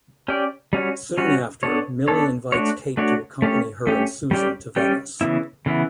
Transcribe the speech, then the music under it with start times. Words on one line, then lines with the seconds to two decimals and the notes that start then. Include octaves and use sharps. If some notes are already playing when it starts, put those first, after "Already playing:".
Soon after Milly invites Kate to accompany her and Susan to Venice.
0.28 C#4 G4 D5
0.73 G3 C#4 F#4 C#5
1.18 G3 C#4 F#4 C#5
1.63 B3 D4 A4 C#5
2.08 B3 D4 A4 C#5
2.52 A3 D4 F#4 C#5
2.97 A3 D4 F#4 C#5
3.42 A3 C#4 G4 C#5
3.87 A3 C#4 G4 C#5
4.31 G3 C#4 G4 D5
4.76 G3 C#4 G4 D5
5.21 C#3 E3 B3 E4
5.66 C#3 E3 B3 E4